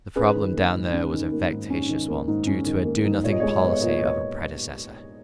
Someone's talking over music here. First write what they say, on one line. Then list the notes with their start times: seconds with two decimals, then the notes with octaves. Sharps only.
The problem down there was a vexatious one, due to a do-nothing policy of a predecessor.
0.16 C#4 G#4 B4
0.35 D#3
0.54 A#3
0.74 G#2
0.93 C#4
1.12 D#3
1.32 A#3
1.50 G#2
1.70 C#4
1.89 D#3
2.08 A#3
2.28 G#2
2.47 C#4
2.66 D#3
2.85 A#3
3.04 G#2
3.24 A#2 C#5
3.32 D#5
3.40 C#5
3.43 G#3
3.48 D#5
3.56 C#5
3.62 B3 D#5
3.72 C#5
3.80 A#2 D#5
3.88 C#5
3.97 D#5
4.01 A#2 C#5